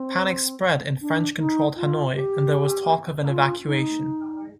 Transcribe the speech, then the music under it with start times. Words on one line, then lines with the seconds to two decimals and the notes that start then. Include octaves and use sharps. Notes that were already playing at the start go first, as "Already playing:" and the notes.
Panic spread in French-controlled Hanoi and there was talk of an evacuation.
Already playing: C4
1.02 D4
1.38 D#4
1.76 F4
2.15 G4
3.28 F4
3.65 D#4